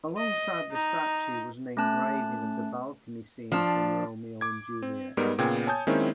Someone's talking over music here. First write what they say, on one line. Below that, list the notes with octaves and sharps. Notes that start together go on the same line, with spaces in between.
Alongside the statue was an engraving of the balcony scene from "Romeo and Juliet".
D#5
D#4
A3 C#4 A5 F#6
F3 D4
D6 G#6
C4
G#2 G3 B3 D#4 A#4 D7
A#2 C#3 B3 G5 G#6
C#5 G#5 A5 D#6 G6
D#3 G#3 A#3 C4 C#4 E4